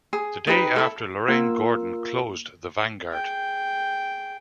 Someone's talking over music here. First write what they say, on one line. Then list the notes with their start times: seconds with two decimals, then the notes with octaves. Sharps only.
The day after, Lorraine Gordon closed the Vanguard.
0.13 G#4
0.47 D#4 G4 B4
0.76 E4 A4
1.28 A#3 F4 A#4 E6
3.10 G#4 G5